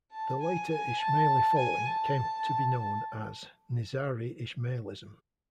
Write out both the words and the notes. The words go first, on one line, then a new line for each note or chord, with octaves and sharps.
The later Ismaili following came to be known as "Nizari Ismailism".
A5
G#5
G#5
A5
G#5
A5
A5